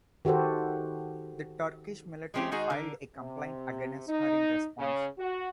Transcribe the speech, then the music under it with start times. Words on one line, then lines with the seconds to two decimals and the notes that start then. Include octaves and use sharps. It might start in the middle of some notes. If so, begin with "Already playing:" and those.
The Turkish military filed a complaint against her in response.
0.25 D#3 F#4 G4 A4 C5
2.34 G#3 A3 C4 C#4 G4
2.52 D#3 G#3 D#4 F#4 G#4
2.70 D3 A#4
3.15 C3
4.08 D#4
4.78 C#3
5.18 F#4